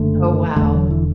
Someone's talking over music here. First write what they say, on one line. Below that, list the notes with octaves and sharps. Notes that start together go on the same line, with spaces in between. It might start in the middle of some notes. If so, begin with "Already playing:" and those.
Oh, wow.
Already playing: F#1 D3 A3
E1 E2 D3 A3
F#3
E3